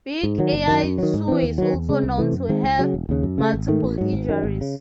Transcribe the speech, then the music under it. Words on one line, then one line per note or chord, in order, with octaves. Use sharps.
Big Al Two is also known to have multiple injuries.
G#2
D#3 F#3
F#1
F#2 D#3
F#2
D#3 F#3
G#2
E3 C4
D#2
D#3 F#3
E2
C#3 G#3 C4
C2
C3 E3 A3
F#2
D#3 G#3 C4
C#2
C#3 F#3
E1
D#2 C#3
F#2
C#3 E3 A3
G#1
G#2 D#3 A3
A1
G#2 F#3
G#1
F#2 D#3
G#1
C#3